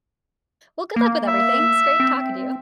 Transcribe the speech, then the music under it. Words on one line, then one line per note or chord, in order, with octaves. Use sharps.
well, good luck with everything. It's great talking to you.
A#3
E5
C4